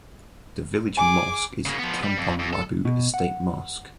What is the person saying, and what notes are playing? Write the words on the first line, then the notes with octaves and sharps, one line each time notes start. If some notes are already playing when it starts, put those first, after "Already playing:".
The village mosque is Kampong Labu Estate Mosque.
G#4 G#5 D6
C#3 A#3
F3 B3
G3
F2
F2
A4
B2
F#5